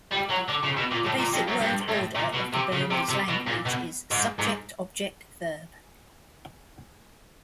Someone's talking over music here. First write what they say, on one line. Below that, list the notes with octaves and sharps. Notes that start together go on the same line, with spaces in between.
The basic word order of the Burmese language is subject-object-verb.
G3
F#3
D3
C#3
B2
A#2
A2
A#2
F2
F#2
G2
A2
A#2
B2
C3
C#3
C3
C3
B2
A#2
B2
G#2
G#2